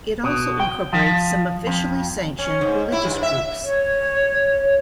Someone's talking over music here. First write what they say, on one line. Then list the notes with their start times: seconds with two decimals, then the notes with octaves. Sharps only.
It also incorporates some officially sanctioned religious groups.
0.24 B2
0.60 G5
0.93 F3
1.67 F2
2.39 C#4
2.61 G#2
2.92 E4
3.05 G2
3.23 E5
3.64 C#5